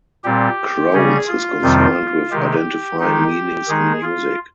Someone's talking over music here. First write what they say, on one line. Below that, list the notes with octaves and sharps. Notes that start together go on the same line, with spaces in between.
Krones is concerned with identifying meanings in music.
A#2 G3 C4 G4
C#3 G3 C#4 G#4
F4
F2 C3 D#3 G3 C4
C3 D#3 G#3 G4
D#3 G#3 D#4 G4
D#3 G#3 D#4 G#4
F4